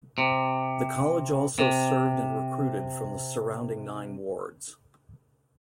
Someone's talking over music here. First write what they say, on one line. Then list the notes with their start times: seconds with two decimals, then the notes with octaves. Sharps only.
The College also served and recruited from the surrounding nine wards.
0.18 C3
1.59 C3